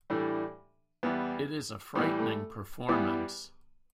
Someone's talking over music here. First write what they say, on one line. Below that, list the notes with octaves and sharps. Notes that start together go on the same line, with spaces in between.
It is a frightening performance.
A2 E3 G3 A3 D4
E2 E3 G3 B3
A2 E3 G3 B3
A3
E2 E3 G3 B3